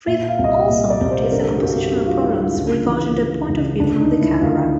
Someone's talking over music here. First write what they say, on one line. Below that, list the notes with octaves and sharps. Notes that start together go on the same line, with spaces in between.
Frith also noticed the compositional problems regarding the point of view from the camera.
A#2 E5
F5
C2
D#5
E5
A#2
D5
C2
C5
D3 A#4
A4
A#4
G4
G2 F#4
D3 F#4
F4
D3 E4
F4
C#2
E3
E3
C#2
D2 D4
D#4
D2
E4
D2 F4